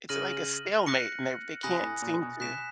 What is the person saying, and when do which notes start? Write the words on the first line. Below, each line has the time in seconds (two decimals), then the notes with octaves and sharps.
it's like a stalemate and they've they can't seem to
0.09 C#3 F6 A#6 D#7 F#7
0.86 F#6 A#6 C#7
1.63 C3 G#5 B5 D#6 F#6 A#6
1.83 A2
2.02 A#2
2.22 B2
2.40 B2 F#6 B6 E7